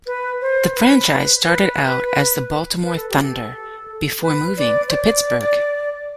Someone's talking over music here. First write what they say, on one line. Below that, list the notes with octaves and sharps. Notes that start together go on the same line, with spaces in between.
The franchise started out as the Baltimore Thunder before moving to Pittsburgh.
B4
C5
B4
B4
B4
A4
G4
A4
B4
D5
C5
D5